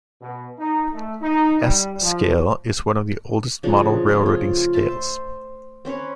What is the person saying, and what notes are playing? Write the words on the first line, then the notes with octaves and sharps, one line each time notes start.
S Scale is one of the oldest model railroading scales.
B2
D#4
A3
D#4
G3
F3
C#3 F3 D4 F#4
A3 F4 G#4
F4
C5 E5 A5
C4 C#4 B4 C#5